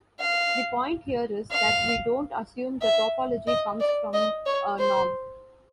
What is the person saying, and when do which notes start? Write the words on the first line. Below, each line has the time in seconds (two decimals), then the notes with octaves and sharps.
The point here is that we don't assume the topology comes from a norm.
0.20 F5
1.51 F5
2.82 E5
3.47 D#5
3.80 D5
4.13 D#5
4.46 C#5
4.78 C5